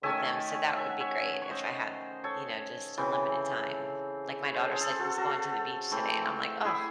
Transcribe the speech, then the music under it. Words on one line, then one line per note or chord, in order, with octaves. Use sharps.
With them, so, that would be great if I had, you know, just unlimited time. Like my daughter said she's going to the beach today and I'm, like, "Ugh,
D#3 A3 C#4 E5 G#5
E5
F#5
C#5 E5
C#5
C5 D#5
A4 C#5
C#3 E3 C4
C#5
C5
A4
G#4 C5
A4
C5
F#4 A4
F#4 A4
E3 A3 C4
E4 G#4